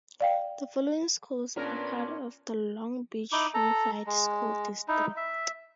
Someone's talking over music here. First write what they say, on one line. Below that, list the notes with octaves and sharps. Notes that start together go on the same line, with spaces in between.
The following schools are part of the Long Beach Unified School District.
D5 F5 G5
A#2 B3 C#4 D4 A#4
D#4 E4 D6
A4 A#5
G#3
D#4 E4
E5